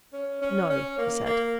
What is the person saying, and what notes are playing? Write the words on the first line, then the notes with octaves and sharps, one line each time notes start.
"No," he said.
C#4
C#4
C#4
A#3
A#3